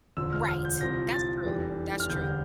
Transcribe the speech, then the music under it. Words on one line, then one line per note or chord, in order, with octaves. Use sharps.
Right, that's true, that's true,
E1 D2 D3 F3 E6
F6
F6
G6
C2 C3 F3 A#6
A6
F1 E2 E3 G3
F6
E1 D2 D3 G3 G6